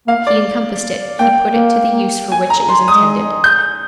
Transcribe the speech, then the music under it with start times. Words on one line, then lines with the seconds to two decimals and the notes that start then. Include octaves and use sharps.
If he encompassed it, he put it to the use for which it was intended.
0.07 A#3 F5
0.27 D5
1.19 A#3 G5
1.48 A#3
2.32 G#5
2.50 A#5
2.69 C6
2.87 G#3 D#6
3.44 G6